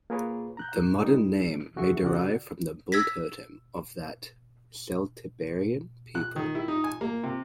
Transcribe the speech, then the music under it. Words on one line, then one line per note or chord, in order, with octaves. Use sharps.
The modern name may derive from the bull totem of that Celtiberian people.
A#3 F4 G#4 A#4 B4 C#5
A#5 F#6 G6
G3 G#3 D#4
C#3 F#4 G#4 E5 C#6
C#3 F#4 D5 F#5
E6 G#6 A#6 B6
F#6
D#3
E4
D#4
G#5
A#3
C3